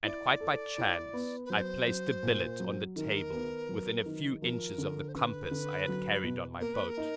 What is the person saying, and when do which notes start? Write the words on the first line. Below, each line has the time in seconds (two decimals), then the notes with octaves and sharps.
And quite by chance I placed the billet on the table within a few inches of the compass I had carried on my boat.
0.04 E4 D5
0.41 A4
0.78 E4
1.13 B3
1.45 B4
1.50 F#3 C5
1.87 F#3
2.23 A#2
2.60 F#3
2.96 D#3 A#4
3.32 B3
3.69 F#3
4.06 D#3
4.42 F3 A#4
4.78 D3
5.09 C5
5.15 D3 B4
5.51 D3
5.88 F#3
6.24 B2
6.60 A#3 A#4
6.74 B4
6.89 A#4
6.97 D#4